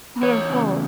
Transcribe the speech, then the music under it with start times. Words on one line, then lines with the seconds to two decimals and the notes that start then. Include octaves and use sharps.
Other flaw.
0.23 E2 C#5
0.50 C#3